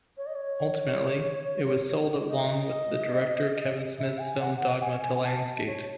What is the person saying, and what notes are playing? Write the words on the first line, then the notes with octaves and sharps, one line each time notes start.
Ultimately, it was sold along with director Kevin Smith's film "Dogma" to Lionsgate.
C#5
D#5
C#5
D#5
E5
G#5
F#5
F#5
G#5
A5
C#5